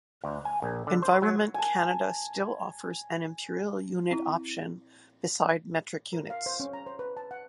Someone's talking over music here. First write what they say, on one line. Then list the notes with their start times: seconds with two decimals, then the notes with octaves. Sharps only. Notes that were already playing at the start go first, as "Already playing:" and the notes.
Environment Canada still offers an imperial unit option beside metric units.
0.24 D2
0.45 G#5
0.62 A#1
0.87 D3
1.02 C5
1.22 F#3
1.54 G#5 A5
4.11 C4 E4
6.13 A#4
6.30 F5
6.46 C5
6.60 C#4
6.73 A#5
6.86 C5
6.99 B4
7.17 A5
7.31 F#5